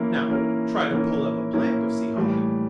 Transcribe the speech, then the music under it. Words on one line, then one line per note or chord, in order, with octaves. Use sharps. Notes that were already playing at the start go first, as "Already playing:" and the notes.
Now try to pull up a plant of Sea Holly.
Already playing: E3 A#3 C#4 E4 A#4
E3 A#3 C#4 E4 A#4
E3 A#3 C#4 E4 A#4
E3 A#3 C#4 E4 A#4
A2 E3 G3